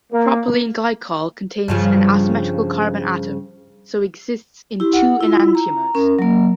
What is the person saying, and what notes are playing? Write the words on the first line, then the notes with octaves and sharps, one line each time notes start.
Propylene glycol contains an asymmetrical carbon atom, so it exists in two enantiomers.
A#3
G2 C#3 F3
E4 G4
F#5
E4 F4
A#5
C#4 A#4
F#3 A#3